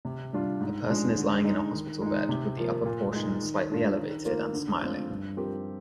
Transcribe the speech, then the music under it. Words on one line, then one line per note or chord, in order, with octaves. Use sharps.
A person is lying in a hospital bed with the upper portion slightly elevated and smiling.
C3
G3 D4 F4
G#2
F3 G#3 D4
D3
G#3 D#4
D#3
G#3 D#4
C3
F3 A#3
A#2
G#3 D#4
D#3
G#3 D4 F4
D#3
A#3 F4 A#4
D3
F3 G#3 C4 F4
G2
F3 C4 G4 A#4